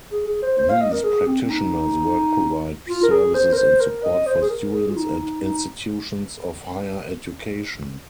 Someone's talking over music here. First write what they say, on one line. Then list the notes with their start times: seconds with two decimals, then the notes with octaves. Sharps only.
These practitioners work provide services and support for students at institutions of higher education.
0.12 G#4
0.27 G#4
0.42 C5
0.58 C5
0.70 F5
0.81 D#5
0.92 A#4
1.04 G#4
1.27 C4
1.42 C4
1.50 D#4
2.88 F4
3.03 A#4
3.11 G#4
3.34 C5
3.53 A#4
3.57 C5
3.81 A#4
4.03 D#5
4.26 C5
4.42 G#4
4.50 A#4
4.73 G#4
4.90 F4
4.96 D#4
5.19 D#4
5.42 D#4